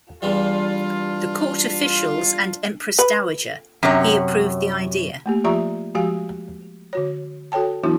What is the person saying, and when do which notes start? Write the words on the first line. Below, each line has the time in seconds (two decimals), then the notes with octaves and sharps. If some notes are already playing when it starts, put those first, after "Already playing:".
The court officials and Empress Dowager He approved the idea.
0.22 E2 E3 G3 D4 F4
2.99 B4
3.83 F#2 C3 C#5
5.26 A3 A#3 G4
5.44 F3 F4 G4 E5 A#5 C#6
5.95 F3 G#3 F#4 G4 F5 G#5
6.93 D3 F#4 C#5
7.52 F#4 A4 C#5 G5 A5
7.83 E3 F#3 B3 D4 E4 F#4